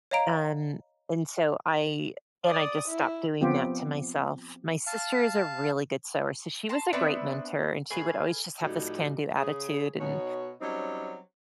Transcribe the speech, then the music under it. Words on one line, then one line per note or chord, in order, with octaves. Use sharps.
Um, and so I and I just stopped doing that to myself. My sister is a really good sewer, so she was a great mentor, and she would always just have this can-do attitude, and,
C#5 D#5 F5 A#5 D7
D5 D#6
E4
F3 B3 C4 F4 G4
F5 A5
A5 A#5 C6
B3 C4 D4 B4 E5
A2 G#4 B4 F5
A2 F3 G3 D#4 F#4
C#3 G#4
B2 D#4 F#4 C#5
F#3 G3 C4 C#4 D#4